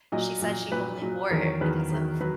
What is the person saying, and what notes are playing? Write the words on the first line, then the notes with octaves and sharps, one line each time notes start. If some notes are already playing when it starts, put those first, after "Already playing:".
she said she only wore it because of, eh
A#2 F#3 D#5
A#2 F#3
A#2 F#3 B4
A#2 F#3
E2 D#3 F#3 A#4
C#5
E2 D#3 F#3 B4
E2 D#3 F#3
F#3 B4